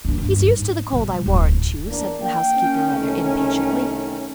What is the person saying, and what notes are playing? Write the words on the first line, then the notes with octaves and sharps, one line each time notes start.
"He's used to the cold, I warrant you," said the housekeeper rather impatiently.
D#2 D4
G2
G#2
B2 G3
D1 F2
E2 A#3 D4
A#3 F5 G5
C#4
C2 D#3 A3